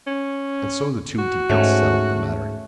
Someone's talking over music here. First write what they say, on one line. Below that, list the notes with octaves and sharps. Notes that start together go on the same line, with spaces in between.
And so the two deacons settled the matter.
C#4
F#4
G#2 A3 C#4